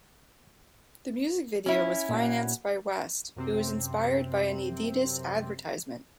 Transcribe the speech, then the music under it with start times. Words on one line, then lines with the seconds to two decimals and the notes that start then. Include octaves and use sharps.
The music video was financed by West, who was inspired by an Adidas advertisement.
1.66 C#4 E4
2.09 A#2 F#4
3.36 F#2 C3 C4